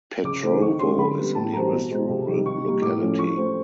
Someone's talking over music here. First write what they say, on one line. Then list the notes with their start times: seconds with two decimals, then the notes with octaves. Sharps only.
Petrovo is the nearest rural locality.
0.24 C#3 D6
0.43 E3 A3 C4
0.61 D#3 C#6
0.79 G#3 C#4 C6
0.98 D3 B5
1.16 G3 B3
1.35 A2 A5
1.53 E3 G3 C4 A#5
1.71 B2
1.90 G#3 C4
2.09 C3
2.27 D#3 G3
2.45 D#3 C#6
2.64 G3 A#3
2.82 A2 D6
3.00 F3 A3 C#4
3.19 F3 C#6
3.37 A3 C4